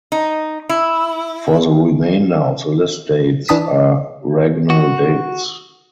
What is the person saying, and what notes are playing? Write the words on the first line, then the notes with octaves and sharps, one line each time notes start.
For the remainder of the list dates are regnal dates.
D#4
E4
E3 D4 A5 D#6 B6
F#4